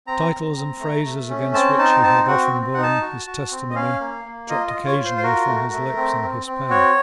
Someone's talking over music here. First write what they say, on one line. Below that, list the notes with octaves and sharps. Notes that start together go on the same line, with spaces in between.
Titles and phrases against which he had often borne his testimony dropped occasionally from his lips and his pen.
C4 A#5
C4
C4
A3
A3
C#4
C4 A5
D#4 A5
C4 A5
F#4 F#5
C4
D#4 F#5
A5
F#4
F#4
C4
D#5
C#4 F5
A#3
A#3
F4 D#5
D#5
F4
C#5
F4
C5
C5
F#4 A#4
A3
A3
C4
C4
C4
F#4 C#5